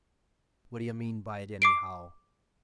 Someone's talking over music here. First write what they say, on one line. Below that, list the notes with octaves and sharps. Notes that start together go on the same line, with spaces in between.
What d'you mean by it, anyhow?
D6 C7 D7